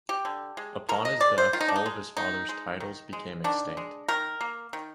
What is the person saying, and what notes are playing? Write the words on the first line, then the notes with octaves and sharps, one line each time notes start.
Upon his death, all of his father's titles became extinct.
G4
D3
G#3
D3 A#4
D#5
G#3 D5
C5
D#3 F4
D#4
D4
D#4
G#3
D#3 D#4
G#3
D#3
G#3
D#3 D4
G#3
D#3 A#4
A#3
D#3